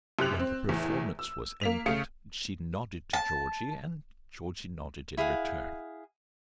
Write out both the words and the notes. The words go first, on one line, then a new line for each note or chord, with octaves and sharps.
When the performance was ended she nodded to Georgie, and Georgie nodded in return.
F#2 C3 G4 F#6 F7
C4
E2 A2
E6
A#3 B6 F7
C#3 A3 F5 C#7
A5
E4 G#4 F5 F#5